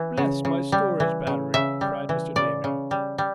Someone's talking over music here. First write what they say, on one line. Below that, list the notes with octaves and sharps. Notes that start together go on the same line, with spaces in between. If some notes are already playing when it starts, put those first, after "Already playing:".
"Bless my storage battery!" cried Mr. Damon.
Already playing: E3
C#3
C#3
G3
E3
C#3
C#3 E5
G3
E3
C#3 D5
C#3
G3
G3